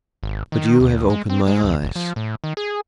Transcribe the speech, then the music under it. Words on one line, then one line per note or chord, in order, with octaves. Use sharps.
But you have opened my eyes.
G#1
D#3
D2
G#3
C4
G#3
C#2
F1
F3
A2
D#3
G#4